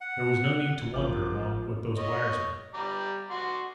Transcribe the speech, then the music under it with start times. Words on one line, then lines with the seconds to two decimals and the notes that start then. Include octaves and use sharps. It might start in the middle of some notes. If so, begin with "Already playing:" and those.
There was no need to wonder long what those wires meant.
0.01 F#5
0.93 A1 F3 F4 A#4 F#5 D6
1.98 C#5 D#5
2.74 G3 A#5 D6
3.30 F#4 C6 D6